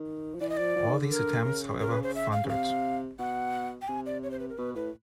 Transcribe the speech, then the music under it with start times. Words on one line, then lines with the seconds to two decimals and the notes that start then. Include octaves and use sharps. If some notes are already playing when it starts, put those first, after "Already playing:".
All these attempts, however, foundered.
Already playing: D#3
0.34 F3
0.41 E3 D5
0.49 D#5
0.57 F3 D5
0.76 F3
0.87 D#3
0.98 D3
1.11 A#4
1.45 C#3
1.80 A#4
1.91 B4
2.03 C5
2.15 E5
2.32 F5
2.44 C#3
2.49 C3 F5
3.19 B2 F#5
3.82 G5
3.88 C3 G#5
4.06 D5
4.23 C#5
4.31 C5
4.40 B4
4.49 A#4
4.58 B2 B4
4.75 A2 B4